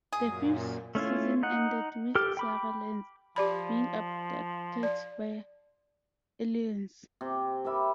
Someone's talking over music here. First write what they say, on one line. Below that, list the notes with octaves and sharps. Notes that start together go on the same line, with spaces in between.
The fifth season ended with Sara Lance being abducted by aliens.
F#2 A#2 G#4
A3 C#4 E4 F4
D#4 F#5
G4 A4 F6
G5 B5 D6
F3 G4 D5 B5
D5
C3
G4 A#4 E5 B5